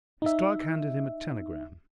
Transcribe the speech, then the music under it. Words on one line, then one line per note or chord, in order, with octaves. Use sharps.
His clerk handed him a telegram.
D#4 E5